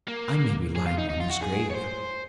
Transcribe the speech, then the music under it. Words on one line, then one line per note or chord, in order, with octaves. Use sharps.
I may be lying on his grave.
A#3
G#4
F4
D#4
D#4
F4
F#4
G#4
C#5
C5